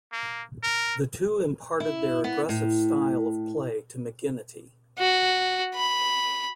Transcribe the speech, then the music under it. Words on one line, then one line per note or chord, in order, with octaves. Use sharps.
The two imparted their aggressive style of play to McGinnity.
A#3
A#4
E4
B3
A2
F#4
B5